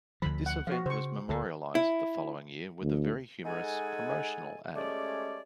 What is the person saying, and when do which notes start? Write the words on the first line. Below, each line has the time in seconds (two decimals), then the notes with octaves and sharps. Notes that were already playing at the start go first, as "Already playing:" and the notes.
This event was memorialized the following year with a very humorous promotional ad.
0.22 D2 D3 F3 B5
0.46 F#5
0.67 F3 F#4 F5
0.86 C#3 C5 C#6
1.29 D2 D3 A4
1.75 E4
2.81 D2
3.45 G#3 D#4 A4 F#5 G#5
4.75 G#3 A3 C#4 G4 C#5 D5